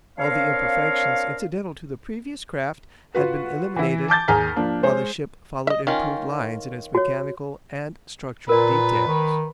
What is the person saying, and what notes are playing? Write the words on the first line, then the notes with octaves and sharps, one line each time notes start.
All the imperfections incidental to the previous craft had been eliminated, while the ship followed improved lines in its mechanical and structural details.
C4 D4 A#4 C#5 F5
F4 F#4 B4
E3 E4
A5 D6 G6 A6
D#2 G#4 G#5 A#5 F6 B6
F3 A#3 D4
G#3 C5 C#5
D#5 E5
D#3 C#4 F4
F#4 C#5
A#2 A#4 B4 D5
D#3